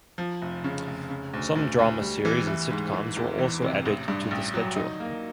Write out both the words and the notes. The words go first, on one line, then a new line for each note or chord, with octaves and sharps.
Some drama series and sitcoms were also added to the schedule.
F3
F1
C#3
F1
C#3
D2
D2
D2
G3
E3
E3
G#2
E3
E2
E3
C3
A1
G2
A1
F#3
D#4
A#3